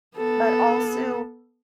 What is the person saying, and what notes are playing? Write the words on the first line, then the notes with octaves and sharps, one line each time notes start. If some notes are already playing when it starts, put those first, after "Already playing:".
but also
B3 A4